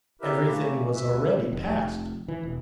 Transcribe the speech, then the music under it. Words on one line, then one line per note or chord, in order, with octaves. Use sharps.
Everything was already past.
E4 G4 A#4 B4 E5
E3 A3 A#3
D2 C3 B4 E5
F1
E3
E1